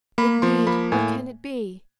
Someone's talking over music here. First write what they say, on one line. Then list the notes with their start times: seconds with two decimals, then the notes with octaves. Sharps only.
"Indeed! what can it be?"
0.18 A#3 B5
0.42 F3 C6
0.67 A#3 B5
0.92 A2 G#5